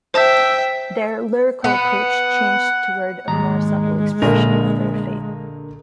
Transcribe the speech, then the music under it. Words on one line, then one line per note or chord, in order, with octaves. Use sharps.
Their lyrical approach changed toward a more subtle expression of their faith.
C5 E5 G5 A5 G6
B3 F#5
D#2 G#2 G#3 A#5
A#1 D3 A#3 A#4